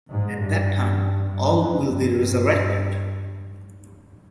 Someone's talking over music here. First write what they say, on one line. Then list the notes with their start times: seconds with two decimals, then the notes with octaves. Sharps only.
At that time, all will be resurrected.
0.11 G#2
0.40 G2
1.28 G2
1.58 F2
1.87 G2
2.17 G2